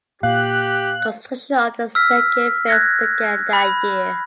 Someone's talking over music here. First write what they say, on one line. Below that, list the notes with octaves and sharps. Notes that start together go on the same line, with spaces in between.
Construction of the second phase began that year.
A#2 G4 F5 F#6
E6 F6 B6
F#6 G#6 A#6
B5